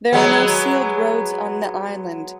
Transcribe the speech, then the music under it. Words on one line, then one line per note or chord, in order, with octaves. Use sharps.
There are no sealed roads on the island.
F#3 G#3 B3